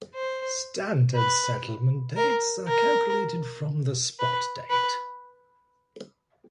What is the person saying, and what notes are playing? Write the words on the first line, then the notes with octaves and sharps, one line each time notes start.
Standard settlement dates are calculated from the spot date.
C5
B4
A#4
A#4
B4
B4